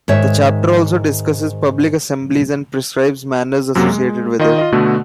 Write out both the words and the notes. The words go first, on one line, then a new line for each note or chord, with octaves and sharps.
The chapter also discusses public assemblies and prescribes manners associated with it.
G#2 D#3 C#5 E5
F#2 C3 F#3 A#3
G#3
D#3 F4 D#5
F4 D#5
B2 D3 A3 F#4